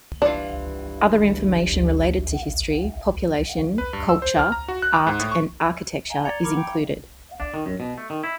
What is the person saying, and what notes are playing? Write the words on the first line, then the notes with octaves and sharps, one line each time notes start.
Other information related to history, population, culture, art and architecture is included.
G2 E3 D4 F4
B4
G2
E6
C5
F6
A#5
F#4
F#6
D6
G#2
A2
C#6
G#5 A#5 G7
D5 G#6 C#7 F7
A#4 B5 D6
G5
D4
D#3
F#2
B2
A3
D#3
E4